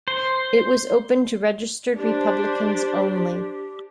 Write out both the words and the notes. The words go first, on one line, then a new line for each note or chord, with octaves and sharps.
It was open to registered Republicans only.
C5
D4 G4 C5